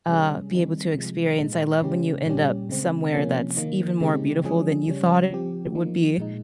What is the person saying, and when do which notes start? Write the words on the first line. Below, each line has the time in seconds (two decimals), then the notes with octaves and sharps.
uh, be able to experience. I love when you end up somewhere that's even more beautiful than you thought it would be.
0.08 C3 G3 C#4 G#4
0.51 D#3 G3 C4 D#4
0.95 C3 F3 G#3
1.38 A#2 G#3 D#4
1.82 C#3 G#3 C#4 G4
2.26 A#2 G3 C#4 G4
2.69 C#3 G#3 C4
3.14 C3 F3 A#3 C#4
3.57 D#3 A#3 D#4
4.01 C#3 G#3 C4 D#4 G4
4.44 F3 G#3 C#4 G#4
4.88 C#3 G3 C#4
5.31 F3 C4 G4
5.75 F3 A#3 D#4
6.18 A#2 G#3 D#4